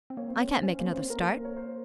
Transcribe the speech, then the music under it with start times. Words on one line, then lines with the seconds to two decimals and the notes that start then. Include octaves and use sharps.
I can't make another start.
0.10 C4
0.17 A#3 C#5
0.29 C4 C5
0.41 C#5
0.48 C#4 C5
0.63 C#4 C#5
0.79 A#3 C5
0.87 C4
0.94 C#4 C5
1.03 C4
1.10 A#3 A#4
1.22 A#4
1.33 C5
1.45 C#5
1.56 C5